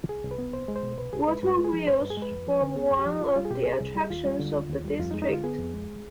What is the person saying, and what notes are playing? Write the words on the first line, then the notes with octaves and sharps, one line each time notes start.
Water wheels form one of the attractions of the district.
C2 G#4
C2
B4
B3
C2 C5
G#3
C5
B2
C2 B4
C2 G#4
G#3 B4
G2 B4
G#3
G#4
F3
G2 C5
G2 B4
G#4
G#3 B4
F2
F3
D3
B3 G#4
F2
G4
F3
D#4
C2 F4
G3 F4
G#4
B2 G4
C2 G#4
C2
G3
D#2 F4
G3
D3
D#2
D#2
G3
F2 F4
D#4
G#3
D#4
D3 F4
B3 G#4
F2
G#3